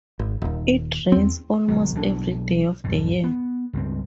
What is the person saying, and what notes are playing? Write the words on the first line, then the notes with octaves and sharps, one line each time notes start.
It rains almost every day of the year.
G#1
D#1 D#2
E2 C4
G1 B2 F#3
B1 B2 E3 D4
B1 F2 G#2
B3
C#2 G2 C4